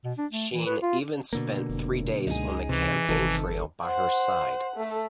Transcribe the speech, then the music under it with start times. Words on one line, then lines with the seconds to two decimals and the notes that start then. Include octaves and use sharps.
Sheen even spent three days on the campaign trail by her side.
0.04 B2
0.18 D4
0.31 A3
0.54 E3
0.66 B4
0.82 F4
1.33 B2 D3 A#3
1.69 F1
2.27 C#2 D#4 G#4
2.69 C3 E3
3.09 G1 C3 D#3 A4
3.84 C5 F#5
4.76 A3 A4